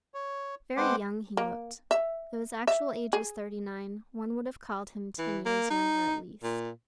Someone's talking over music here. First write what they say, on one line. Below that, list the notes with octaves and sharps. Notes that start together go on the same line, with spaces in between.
Very young he looked: though his actual age was thirty-nine, one would have called him ten years younger, at least.
C#5
G#3 C4 B4 C5 F#5 D6
A#3
E5
E5
G#4
E3
A#3
D#4
A#2